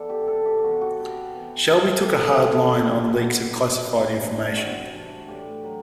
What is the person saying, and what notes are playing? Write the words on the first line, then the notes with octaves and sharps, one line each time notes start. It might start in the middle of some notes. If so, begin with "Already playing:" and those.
Shelby took a hard line on leaks of classified information.
Already playing: E3 B3 A4 D5
G4
C3 A4
G4
E3 B3 F#4
F#4
C3 G4
E3 B3
C3 G4
A4
E3 B3 G4
A4
C3 G4
E3 G3 D4 G4
C3 F#4
E3 G3 D4
C3
E3 G3 D4
C3 F#4
E3 G3 D4
A2 G4
F#3